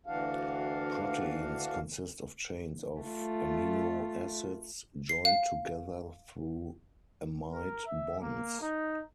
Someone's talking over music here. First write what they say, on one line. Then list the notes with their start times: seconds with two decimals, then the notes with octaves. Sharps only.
Proteins consist of chains of amino acids joined together through amide bonds.
0.06 D2 E3 D4 F#4 F5
3.01 A3 F4
5.09 C7
5.25 F5
7.51 A#4
7.86 E5
8.20 A#3
8.61 D#4